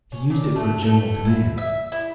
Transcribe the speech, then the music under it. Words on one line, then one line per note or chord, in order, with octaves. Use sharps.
He used it for general commands.
C#4
A#2
A3
A3
E4
E5
E4